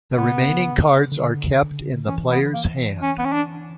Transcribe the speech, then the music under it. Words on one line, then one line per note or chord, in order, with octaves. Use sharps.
The remaining cards are kept in the player's hand.
C#3 B3
D3
E3 C#4
B3
A#3
C#4
B3
C#4
D4